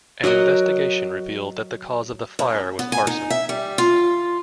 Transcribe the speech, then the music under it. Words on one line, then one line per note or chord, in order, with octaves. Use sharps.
An investigation revealed that the cause of the fire was arson.
F#3 F#4 A#4 D#5
F#2
B3
G#5
D#4
E5
G3
F4